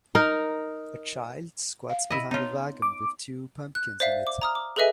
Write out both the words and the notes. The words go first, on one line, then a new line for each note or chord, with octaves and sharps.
A child squats behind a wagon with two pumpkins in it.
D#4 A#4
F5
E4 D#5
B3 D#4 F4 C#5
D6
F#6
C5 D5 E5 F5
D6
A#5 D#6 F6
D6
G#4 A4 B4 D#5 E5 G#5